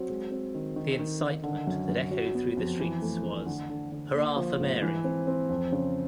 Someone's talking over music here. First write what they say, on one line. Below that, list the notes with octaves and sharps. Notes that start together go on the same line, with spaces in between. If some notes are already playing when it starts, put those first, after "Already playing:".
The incitement that echoed through the streets was: Hurrah for Mary!
Already playing: F#3 C4
G#3
C4
D#3
D#3
D#3
D#3
D3
F#2
F#2
F#3
B3
F2
E3
A3
A3
D3
D3
D3
A#3
F3
G#2
E3
C4
C4
F2
C#3